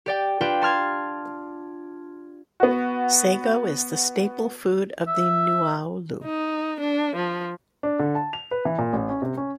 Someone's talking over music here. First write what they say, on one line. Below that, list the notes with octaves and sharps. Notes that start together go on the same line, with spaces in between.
Sago is the staple food of the Nuaulu.
G4 D5 G5
D4 F4 G4 B4 G5
A5 C6 F6 G#6
B3 F#4
E5
D#4
D4
F3
D4
D3
A5
F7
B4
E3
A#2
A1
C#4
C3
C#4